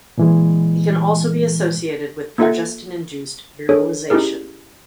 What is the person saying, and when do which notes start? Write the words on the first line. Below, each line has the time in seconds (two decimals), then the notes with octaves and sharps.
It can also be associated with progestin-induced virilisation.
0.18 A#2 E3 G#3
2.38 A#3 D#4 F4 A4 E5 F#5
3.69 D4 G#4 A4 C#5
4.10 C#4 D#4 E4 G4 G#4 A#4